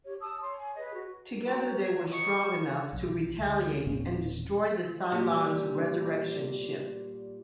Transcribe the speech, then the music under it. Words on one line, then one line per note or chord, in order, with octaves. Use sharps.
Together, they were strong enough to retaliate and destroy the Cylon's Resurrection Ship.
G4 C#5
A5 D#6 E6
C#5 C6
G#5
G#4 B4 C#5 D#5
F#4
F#3 F#5 G5
G#6
D#5 A5 C#6
B1
D2
E1 A#2 C4 C#4
A#2 G3